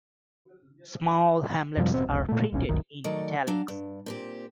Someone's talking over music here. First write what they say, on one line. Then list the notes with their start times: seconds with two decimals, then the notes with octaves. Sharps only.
Small hamlets are printed "in italics".
1.77 F#2 C3 F3 G3
1.94 D#1 A1 B2 C4
2.09 F1 C2
2.29 A#2 A3
2.52 D#1 B1 C#4
2.69 F#1 C2 D#3
3.04 D#3 F#3 A3 D5
3.47 F#3 D4 F5
3.68 G2
4.06 A#2 C4 G4